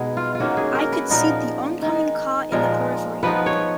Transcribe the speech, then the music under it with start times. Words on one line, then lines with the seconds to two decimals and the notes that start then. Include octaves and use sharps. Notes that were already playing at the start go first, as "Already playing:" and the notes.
I could see the oncoming car in the periphery.
Already playing: B2 G#3 D#4 G#4
0.17 F4
0.35 F4
0.40 D#3 A#3 C#4 F#4
0.57 G#4
0.75 A#4
0.92 B4
1.10 A#2 F3 B3 D#4 A#4
1.82 D#3 G#3 D#4
2.52 A#2 F3 G#3 A#4
3.23 F3 B3 D#4 B4
3.46 C#5